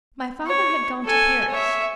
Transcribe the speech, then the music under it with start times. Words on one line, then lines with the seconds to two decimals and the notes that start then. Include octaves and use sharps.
My father had gone to Paris.
0.47 C#5
1.05 A4 G#5
1.50 C#5 E5